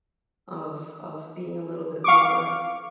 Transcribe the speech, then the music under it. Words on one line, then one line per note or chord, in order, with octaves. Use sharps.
of of being a little bit more,
F5 C#6 D6